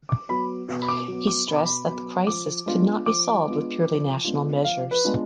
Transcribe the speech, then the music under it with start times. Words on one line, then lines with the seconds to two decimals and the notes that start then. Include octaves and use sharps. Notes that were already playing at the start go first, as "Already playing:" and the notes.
He stressed that the crisis could not be solved with purely national measures.
0.09 D6
0.29 F#3 B3 B5
0.68 B2
0.82 B5
0.88 D6
1.08 F#3 B3
1.27 D6
1.48 B2 B5
1.56 D6
1.65 B5
1.87 F#3 B3 B5
2.27 F3 D6
2.66 G#3 B3 D4 F4
3.06 F3 D6
3.46 G#3 B3 D4 F4
3.85 F3
4.24 G#3 B3 D4 F4
4.64 F3 F5
4.91 B4
5.04 G#3 B3 D4 F4